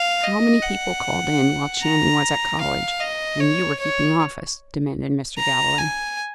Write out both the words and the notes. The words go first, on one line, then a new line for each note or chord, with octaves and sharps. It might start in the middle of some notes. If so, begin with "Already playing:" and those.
"How many people called in, while Channing was at college, and you were keeping office?" demanded Mr. Galloway.
Already playing: F5
D#5
F#5
A#5
F5
D#5
C#5
C#5
A#5
G#5